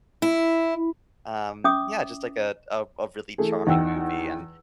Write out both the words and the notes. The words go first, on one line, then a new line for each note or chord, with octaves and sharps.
um, yeah, just, like, a a a really charming movie and,
E4
C#4 E5 D6 D#6
E3 A3 G#4
E2 D#4 F#5 G5 E6